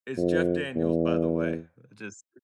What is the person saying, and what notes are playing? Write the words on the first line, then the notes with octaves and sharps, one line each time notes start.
it's Jeff Daniels, by the way. Just,
F2
E2